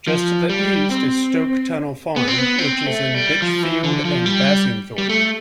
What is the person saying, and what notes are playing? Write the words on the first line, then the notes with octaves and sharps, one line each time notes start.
Just to the east is Stoke Tunnel Farm, which is in Bitchfield and Bassingthorpe.
F3
G3
C4
B3
C4
B3
C4
A3
G3
F3
E3
D3
F3
G3
G3
A3